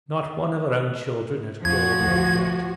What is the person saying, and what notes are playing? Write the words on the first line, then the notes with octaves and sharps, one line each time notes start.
Not one of her own children had crawled like that.
F2 F3 F#4 G#6
D1 A1 A2